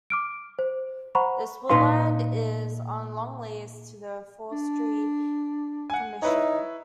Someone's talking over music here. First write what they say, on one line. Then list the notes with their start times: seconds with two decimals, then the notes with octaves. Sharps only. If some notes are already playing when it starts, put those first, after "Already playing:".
This woodland is on long lease to the Forestry Commission.
0.10 D6 F6 D7
0.59 C5
1.15 C5 F#5 A#5 B5 C#6
1.69 A#2 D#4 B4 F5 C6
4.52 D4
5.90 F#5 G#5
6.22 D#4 E4 B4 C#5